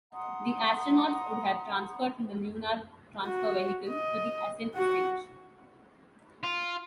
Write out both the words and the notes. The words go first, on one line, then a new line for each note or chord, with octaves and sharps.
The astronauts would have transferred from the lunar transfer vehicle to the ascent stage.
F#5 A#5 C6 D#6
F#4
D#5
F#4 F#5
F4